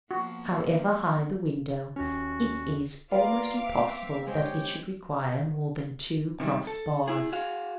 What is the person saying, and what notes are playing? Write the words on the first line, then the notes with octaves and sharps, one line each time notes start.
However high the window, it is almost impossible that it should require more than two cross bars.
F3 A#3 B3 F#4
D#2 C#4 F#4
A#3 B3 F4 A#4 D5 F5 D6
C4 E5
G#3 C4 G4 G#4 C#5 G5
C3 D#3 F3 G3
A4
E4 G#4
F#4 G#4 F5